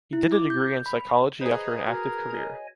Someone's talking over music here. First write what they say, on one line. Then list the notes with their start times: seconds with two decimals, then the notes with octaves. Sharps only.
He did a degree in Psychology after an active career.
0.13 E4
0.32 D6
0.50 G6
0.86 B5
1.41 G#4 B4 C5 D#5 A#5 G#6
1.87 F#4 A#4
2.35 C#5 D#5 G#5